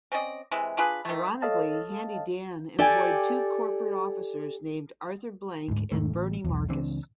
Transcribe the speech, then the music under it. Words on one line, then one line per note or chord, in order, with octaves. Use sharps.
Ironically, Handy Dan employed two corporate officers named Arthur Blank and Bernie Marcus.
C4 C#4 D5 D#5
C3 E3 G#3
D4 F4 G#4 B4
D#3 A3
A4 C#5 D#5 F5 A5
G4 A4 D5 G5 G#5
D2 G#2
E1 G#2 D#3 A3
A1
B1 E2
C#2 E3 C4 D4